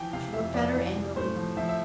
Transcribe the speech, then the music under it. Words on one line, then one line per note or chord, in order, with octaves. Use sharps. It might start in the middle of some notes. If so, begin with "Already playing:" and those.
She looked at her angrily.
Already playing: E3 F3 G5
C3 F5
F2 E5
F2 D5
E3
C3
A2 C5
F3
F3 E5
E5